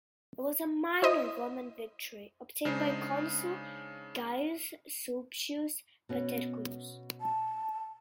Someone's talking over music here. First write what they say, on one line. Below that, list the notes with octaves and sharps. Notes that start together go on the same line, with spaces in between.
It was a minor Roman victory, obtained by consul Gaius Sulpicius Paterculus.
E4 C5 D#5
C#3 G#3 D4 D#4 C5
B2 B3 C#4
A5